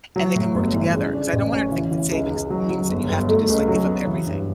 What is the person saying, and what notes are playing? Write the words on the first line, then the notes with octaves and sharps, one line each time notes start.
and they can work together ‘cause I don't want her to think that savings means that you have to just, like, give up everything.
F#3
A2
G1
E3
C#3
D4
A1
C#4
E3
E3
C#2
C#2
F#3
F#3
G1
G1
A3
C#2
F#3
B3
E3
G2